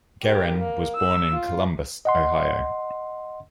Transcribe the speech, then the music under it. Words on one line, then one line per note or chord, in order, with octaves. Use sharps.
Geren was born in Columbus, Ohio.
G4 A#4
A#3
E6
F4
D#5 F#5 C6